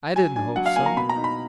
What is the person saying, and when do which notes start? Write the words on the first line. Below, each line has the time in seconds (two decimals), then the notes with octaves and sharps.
I didn't hope so.
0.15 F#3 G#5
0.36 D4 G#5
0.56 F#3 F#5
0.66 F5
0.76 A#3 G#5
0.86 A#5
0.97 B2 B5
1.09 A#5
1.16 D#4
1.24 B5